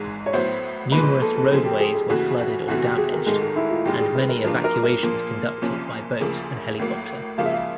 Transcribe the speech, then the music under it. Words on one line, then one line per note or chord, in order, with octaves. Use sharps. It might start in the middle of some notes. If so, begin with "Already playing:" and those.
Numerous roadways were flooded or damaged and many evacuations conducted by boat and helicopter.
Already playing: G#1 G#2 E3 G#3
C#5
A1 A2 F#3 B3 E4 C5
B1 A#2 F3 G#3 B4
A4
A4
C#3 F3 G#3 C4 A4
G4
G#4
G#4
D#2 C#3 E3 A3 F#4
F#4
E2 C3 E3 A3 F#4
G4
G#4
A#4
A1 G#2 D#3 G#3 A4
A4
E4
F4
G2 D#3 G#3 G4
G#4
B4
A#4
G#2 F3 A#3 D4 F4 A#4
A#4
A#4
A#2 F3 A#3
C2 A#2 F3 A#3 C#4
D2 C#3 F3 A#3
A1 A2 F#3 A#3
C#2 C#3 F3 A#3 F5
E5
F5